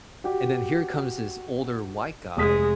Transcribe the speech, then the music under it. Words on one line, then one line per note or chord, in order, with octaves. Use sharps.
and then here comes this older white guy
F#4 G4
F1 G#3 G#4 D#6 B6